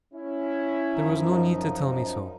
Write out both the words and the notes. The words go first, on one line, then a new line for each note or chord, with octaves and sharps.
There was no need to tell me so.
C#4 E4
F#2 F3 D#4